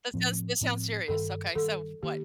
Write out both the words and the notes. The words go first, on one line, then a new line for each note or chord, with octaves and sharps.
That sounds that sounds serious. Okay. So what?
A2 F3 C4
A2 F3 C4
G2 D#3 G3 A4
G2 D#3 G3 A4
D#3 A#3 G4